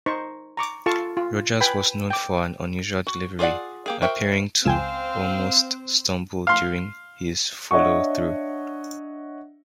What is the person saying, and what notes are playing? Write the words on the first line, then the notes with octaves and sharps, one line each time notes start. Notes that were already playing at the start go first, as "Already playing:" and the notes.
Rogers was known for an unusual delivery, appearing to almost stumble during his follow-through.
D#4 C5 C#6
A#5 C#6 D6
F4 A4 F5 A5 C#6
F4
B4 G5 G#5 B5
G5 D6
F#4
F4 G#4 C5 D5 F#5
A#3 G4 G#4
F#4 A#4 C5 E5 G5
C#2 C4 C5 F5 G5 G#5 E7
F5 C6
D4 C#5 D#5 E5 F#5 C#6